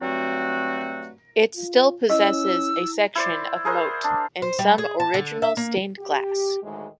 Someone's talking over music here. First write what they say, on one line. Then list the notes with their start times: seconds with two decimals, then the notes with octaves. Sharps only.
It still possesses a section of moat and some original stained glass.
0.01 G2 F#3 A3 C4 F#4
1.56 F4
2.09 C#4 E4 D#5 E6
3.15 E4 C5 D5
3.65 G#4 A#4 C5 F#5
4.04 D4
4.42 C5
4.59 G3
4.78 G#4
5.00 A5
5.14 D3
5.42 E5
5.57 A#3
5.99 G4
6.63 D2 A2 D#3 G#3